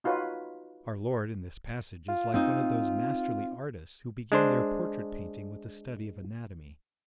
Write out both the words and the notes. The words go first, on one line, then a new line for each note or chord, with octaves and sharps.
Our Lord in this passage is like one of those masterly artists who begin their portrait- painting with the study of anatomy.
D#4 F4 F#4 B4 C#5
F4
C4 D#4 F4
G#3 D4 C5